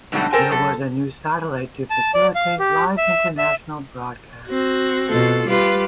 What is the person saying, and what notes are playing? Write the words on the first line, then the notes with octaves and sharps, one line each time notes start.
There was a new satellite to facilitate live international broadcast.
G#2 B2 D3 F#3 G3 A3
A4 A#4 C5 G5 G#5
F#2 A4
A5
D5
F5
G4
E5
E5
C4 F#4
B2 F4 A4
G3 F4 G4 B4